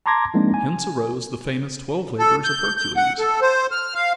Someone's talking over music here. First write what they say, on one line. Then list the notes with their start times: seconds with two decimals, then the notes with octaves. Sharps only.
Hence arose the famous twelve labors of Hercules.
0.06 A5 A#5 C6 D6 G#6 A#6
0.34 F3 G#3 A#3 C4 D4 D#4
0.54 G#5
2.19 A4
2.44 G6
2.77 G6
2.97 F#5
3.19 A4
3.42 C5
3.72 F6
3.94 F5